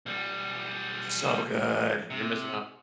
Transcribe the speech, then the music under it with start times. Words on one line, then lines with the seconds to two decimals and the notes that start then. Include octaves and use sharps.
It's so good. You're missing out.
0.06 B1 G3
2.10 C3